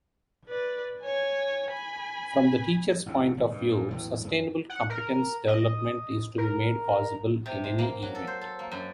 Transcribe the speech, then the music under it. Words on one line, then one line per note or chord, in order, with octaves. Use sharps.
From the teacher's point of view, sustainable competence development is to be made possible in any event.
B4 D5
C#5 G#5
G#5 B5
A1 F2 C3
G#1
G2
E2 A2 E3 F#3
F#2
F#5
A#4
D#5
A#4
C3
G#3
A#3
F#3
A4
C5
A4
A#3
F#2